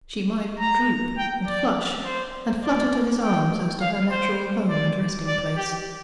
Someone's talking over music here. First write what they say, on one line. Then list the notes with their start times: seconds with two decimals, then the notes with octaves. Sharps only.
She might droop, and flush, and flutter to his arms, as to her natural home and resting-place.
0.60 A#5
1.18 G5
1.47 D5
2.05 C5
2.64 D5
3.23 G5
3.81 F5
4.11 C5
4.69 D5
5.27 D5
5.57 G4